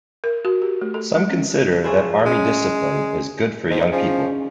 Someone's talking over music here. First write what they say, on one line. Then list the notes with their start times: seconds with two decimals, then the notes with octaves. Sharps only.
Some consider that army discipline is good for young people.
0.24 A#4
0.45 F#4
0.62 G4
0.81 A3
0.94 A4
1.15 G#3
1.30 C#4
1.84 F2 E4 F4 G#4 C#5 A5
2.25 G#3 C#4
3.70 G#2 D#4
3.92 F3 C#4 G#4